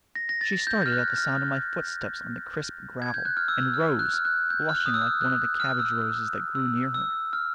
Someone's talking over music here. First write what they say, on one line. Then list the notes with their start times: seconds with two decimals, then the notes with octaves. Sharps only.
She started at the sound of my footsteps on the crisp gravel, and rose, blushing like one of the cabbage-roses that grew near her.
0.15 A#6
0.29 A#6
0.41 A6
0.67 G6
0.86 F6
0.92 F#6
1.18 F6
3.02 G#6
3.14 G6
3.25 F#6
3.37 F6
3.48 E6
3.74 F6
3.99 F#6
4.14 F6
4.25 F#6
4.50 G6
4.69 F6
4.76 F#6
4.86 D#6
4.94 E6
5.02 F6
5.21 F#6
5.60 F6
5.79 E6
6.55 E6
6.94 E6
7.33 F6